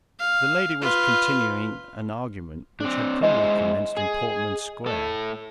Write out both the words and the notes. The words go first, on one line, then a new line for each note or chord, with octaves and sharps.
The lady was continuing an argument which had probably commenced in Portman Square.
F5
F4 B4
C4 D4
G#3 E4 C5 D#5
G#4
A2 A3 A4